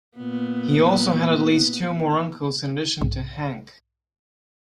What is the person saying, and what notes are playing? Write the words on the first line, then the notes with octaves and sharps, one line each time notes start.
He also had at least two more uncles in addition to Hank.
A#2 B3
B1 G#2